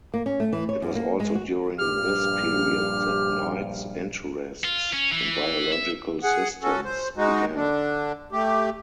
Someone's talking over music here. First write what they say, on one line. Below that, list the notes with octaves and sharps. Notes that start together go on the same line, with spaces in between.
It was also during this period that Knight's interests in biological systems began.
A#3
C#4
A3
E3
C#5
F#2
A#3
G#3
F#4
A#1 G2 G4 F6
F4
C#4
E3
E5
G#4 F#5
C#4 F#4 A4
C5
G#3 D#4 F#4
D3 D4
A3 G4